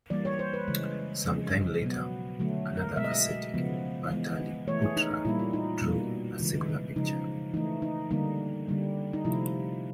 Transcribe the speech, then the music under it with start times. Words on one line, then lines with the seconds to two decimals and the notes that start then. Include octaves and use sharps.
Sometime later, another ascetic in Pataliputra drew a similar picture.
0.10 E3 G3 A#3 D5
0.25 C#5
0.39 C5
0.53 B4
0.68 C#3 E3 G#3
1.25 C#3 F3 G#3
1.82 B2 F#3 B3
2.39 D3 F#3 A3
2.77 A#4
2.96 B2 G#3 B3 E5
3.04 D#5
3.12 E5
3.54 C#3 F3 G#3 B3
4.10 E3 G#3 B3
4.67 E3 A3 C#5
4.82 G#4
4.97 D#4
5.11 D#4
5.25 A#2 G3 A#3 E4
5.39 F4
5.53 D#4
5.82 B2 G3 A#3
6.39 C#3 E3 G#3
6.96 C#3 F3 G#3 D#4
7.54 E3 A3 D#4
7.82 D#4
8.11 D3 G3 A#3 D#4
8.68 D3 G3 A#3
9.13 D#4
9.25 C3 F3 A3 E4